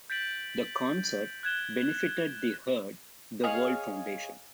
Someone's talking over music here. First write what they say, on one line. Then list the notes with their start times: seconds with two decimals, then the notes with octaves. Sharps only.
The concert benefited the Heard the World Foundation.
0.10 G6 A6 B6 D7 F#7
1.43 F#6 G#6 E7 G7
3.44 G#4 C#5 D#5 F5